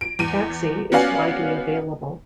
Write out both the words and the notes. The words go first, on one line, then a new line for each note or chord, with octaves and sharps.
Taxi is widely available.
D7
E2 D#7
B3 C#4 F#4 D5 F5 G#5